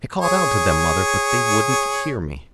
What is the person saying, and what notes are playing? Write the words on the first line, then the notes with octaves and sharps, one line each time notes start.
"I called out to them, mother, but they wouldn't hear me."
G#4 C#5